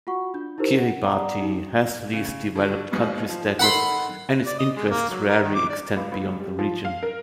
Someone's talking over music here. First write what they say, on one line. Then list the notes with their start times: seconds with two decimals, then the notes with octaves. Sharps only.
Kiribati has Least Developed Country Status and its interests rarely extend beyond the region.
0.07 F4 F#4 F#5 C#6
0.34 D4 F4 G6
0.58 D#4 E4 G4 A#4 C5
0.78 F#5
1.04 D5 F#5 A#5 D#6
1.41 D#4
2.13 C#3
2.55 D3 F#3
2.91 D#2 G#2 B2
3.29 F3
3.59 D#3 A4 F#5 B5 C6
4.46 D5
4.59 D#5
4.76 G#3
4.90 A#3
5.09 F#3
5.29 A#4
5.42 D#3
5.55 D6
5.69 D5
5.97 C#2
6.12 C#2
6.40 G3
6.59 F3
6.85 F5
7.03 A#4